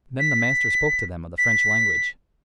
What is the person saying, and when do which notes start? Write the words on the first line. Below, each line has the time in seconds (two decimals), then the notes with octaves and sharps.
And then the master spoke to them of the French language.
0.20 B6
1.38 B6